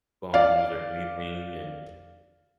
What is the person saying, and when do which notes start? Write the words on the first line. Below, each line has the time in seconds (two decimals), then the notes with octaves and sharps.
bones or anything and
0.34 D5 F5